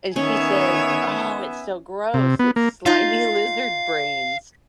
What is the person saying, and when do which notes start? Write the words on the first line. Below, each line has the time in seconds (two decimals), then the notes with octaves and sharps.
And she says, "Oh, it's so gross. It's slimy lizard brains."
0.16 D#3 B3 C#4 C#5 E5 G#5
2.14 C3
2.39 B3
2.56 A#3
2.86 D#4 F4 F5